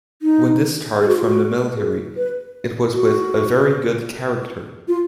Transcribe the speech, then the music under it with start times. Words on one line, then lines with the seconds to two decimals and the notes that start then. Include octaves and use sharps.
When discharged from the military it was with 'a very good character'.
0.22 D#4
1.00 G#4
1.08 F#4
1.17 F4
1.25 F#4
1.76 G#4
2.16 B4
2.93 F#4
4.88 F4